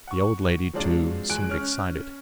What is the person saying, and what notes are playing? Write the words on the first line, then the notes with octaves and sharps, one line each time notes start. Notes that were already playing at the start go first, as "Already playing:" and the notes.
The old lady, too, seemed excited.
F#5 C#6
F3 F#3 G#3 C4 D4 F4
E2 G#3 G#5 F#6 D7
C#4 F6